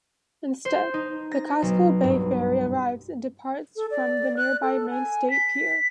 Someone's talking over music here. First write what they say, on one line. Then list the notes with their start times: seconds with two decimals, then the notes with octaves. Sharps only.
Instead, the Casco Bay Ferry arrives and departs from the nearby Maine State Pier.
0.65 C5
0.94 D#4
1.32 A#6
1.62 B1
2.04 G2
3.76 A4
3.91 D5
4.37 F#6
4.62 A4
4.90 G#5
5.30 B6